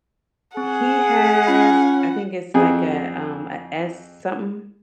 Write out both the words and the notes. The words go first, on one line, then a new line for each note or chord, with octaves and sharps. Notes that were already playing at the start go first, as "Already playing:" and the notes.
He has, I think it's like a, um, a S something.
C4 G#4 F#5
C#4 F4 B5
F2 G#4